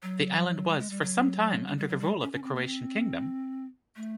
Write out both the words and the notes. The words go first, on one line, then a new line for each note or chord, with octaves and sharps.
The island was for some time under the rule of the Croatian kingdom.
F#3
G3
G#3
G3
F#3
G3
G3
F#3
G3
C#4
C#4
C4
A#3
C4
A3